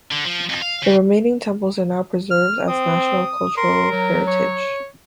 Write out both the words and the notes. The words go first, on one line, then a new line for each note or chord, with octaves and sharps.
The remaining temples are now preserved as national cultural heritage.
D3
F3
F2
F5
C#3
F6
C4 D#6
A#4 C6
F#3
C#5